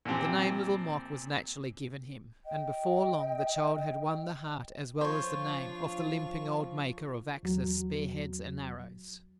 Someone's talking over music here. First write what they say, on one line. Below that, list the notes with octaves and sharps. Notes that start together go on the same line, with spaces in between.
The name Little Mok was naturally given him, and before long the child had won the heart, as well as the name, of the limping old maker of axes, spearheads and arrows.
A#2 E3 F3 C4 G4
D#5 G5
F3 D4 F4 C5 C#5 C#6
E2 F#3